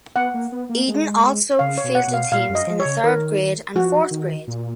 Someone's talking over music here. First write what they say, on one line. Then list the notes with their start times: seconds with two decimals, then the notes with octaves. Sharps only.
Eden also fielded teams in the third grade and fourth grade.
0.16 B3 F#5
0.34 A#3
0.52 B3
0.69 A#3
0.88 G#3
1.59 C#3 F5
1.78 C#5
1.84 B2
1.95 F#5
2.07 B2
2.14 F5
2.32 A#2 F5
2.49 F#2
2.55 D#5
2.67 F3
2.80 C#5
2.85 C#3
3.03 D#3 A#4
3.75 F3 F#4
4.11 D#3
4.48 A#2